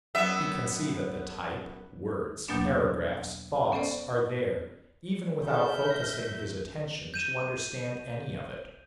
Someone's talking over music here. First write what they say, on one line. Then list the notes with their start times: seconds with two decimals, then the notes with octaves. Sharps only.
He can see that the type, words, paragraphs, thoughts are there, even without focusing his attention to understand any of it.
0.15 F#2 B3 E5
2.48 E2 B2 F#3 A#3 B3 D4
3.72 B3 C#4 A4 C5 D5
5.47 D#3 G#4 A4 E5 A5 F6 G6
5.90 A#6
7.14 G6 D#7 E7